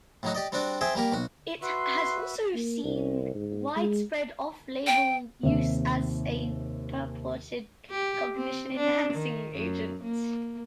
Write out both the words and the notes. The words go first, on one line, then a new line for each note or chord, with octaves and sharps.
It has also seen widespread off-label use as a purported cognition-enhancing agent.
A2 F#3 D#4 F#4
G4 D5 D#5
G3 C4 D4 F#4 D5
C4 G#4 E5 G5 G#5
G3 A#3 G4 A#4
B1 F#4
F#4 B4 E5 C6
A#3
C2
G#2
G#3
G5
D#2 C3 E5
G4
C4
D4
D#3
F#2
A#3